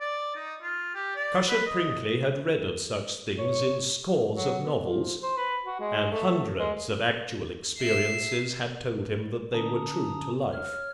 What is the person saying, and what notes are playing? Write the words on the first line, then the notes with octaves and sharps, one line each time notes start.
Cushat-Prinkly had read of such things in scores of novels, and hundreds of actual experiences had told him that they were true to life.
D5
D#4
F4
G4
D5
B4
D#5
C#5
F#3
B3
F3
C5
B4
F#4
G#3
A3
G#3
E5 C7
D3 C#4 A5 A#5 D#6
C#5 F6